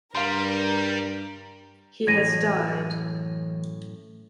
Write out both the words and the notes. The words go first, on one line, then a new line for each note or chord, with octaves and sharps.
He has died.
G2 G3 A#4 F5 C6
F#2 A2 E3 G#6 A#6 D#7